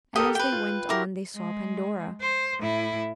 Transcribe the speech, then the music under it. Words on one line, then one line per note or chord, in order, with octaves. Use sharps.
And as they went on they saw Pandora.
G4 A4 A#4 D#5
G4 B4 G5
F4
E4 G4 A#4 D6
G#3
C5
A2 E4